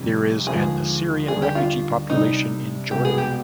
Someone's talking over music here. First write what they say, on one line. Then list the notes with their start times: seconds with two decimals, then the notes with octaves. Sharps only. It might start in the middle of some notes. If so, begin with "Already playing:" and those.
There is an Assyrian refugee population in Jordan.
Already playing: F2 C3 D#3 G3
0.47 D#2 D3 F3 G#3 G#4
1.28 D#2 D3 G3 D4 G#4
1.42 G4
1.55 F4
2.10 C3 G3 D4 D#4
2.91 C2 B2 G#3 B3 G4
3.05 G#4
3.18 G4